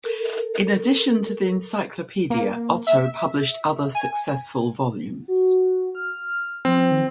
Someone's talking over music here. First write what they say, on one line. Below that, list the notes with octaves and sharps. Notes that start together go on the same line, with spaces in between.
In addition to the encyclopedia, Otto published other successful volumes.
A4 A#4
A#3
E5
G#5
F#4
F6
F3 C4
D#3